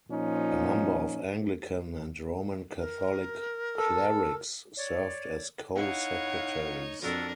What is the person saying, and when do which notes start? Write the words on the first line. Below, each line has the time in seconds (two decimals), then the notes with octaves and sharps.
A number of Anglican and Roman Catholic clerics served as co-secretaries.
0.11 A#2 F3 C#4 D#4
2.77 A#4
3.78 A4
4.77 C#5 D5
5.75 D#4 E4 C#5 F5 F#5
7.02 F2 D4 F#4 A4 A#4 E6